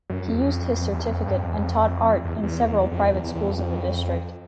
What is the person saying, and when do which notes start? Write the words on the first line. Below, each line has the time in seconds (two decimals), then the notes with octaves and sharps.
He used his certificate and taught art in several private schools in the district.
0.10 F#2
0.27 F2
0.35 E2
0.42 F2
0.92 E2
1.09 F2
1.26 G2
1.37 F2
1.48 E2
1.59 F2
2.25 E2
2.43 E2
2.91 F2
3.03 E2
3.14 E2
3.24 E2
3.35 E2
3.47 F2
3.58 F2